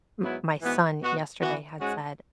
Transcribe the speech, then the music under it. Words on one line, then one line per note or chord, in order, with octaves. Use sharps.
m my son yesterday had said
G#2 F#3 B3 E4
G#2 E3 B3 F#4
B2 B3 F#4
E3 B3 F#4
G#2 G#3 C#4 F#4